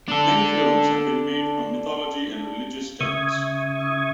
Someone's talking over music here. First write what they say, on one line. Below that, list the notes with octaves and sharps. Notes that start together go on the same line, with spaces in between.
Many films have been made from mythology and religious texts.
D4 A4
C#3 E5 C#6 D#6 G#6